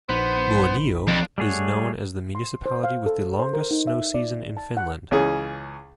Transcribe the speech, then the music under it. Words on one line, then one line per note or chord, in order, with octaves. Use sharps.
Muonio is known as the municipality with the longest snow season in Finland.
A#1 B3 D#4 C5 B5
F2 D4 F4
G3 A3 G#4 C#5 F#5
C6
C5
F5
A4
C5
A#4
D#4
E5
D5
A5
F#5
C#2 E3 C#4 G#4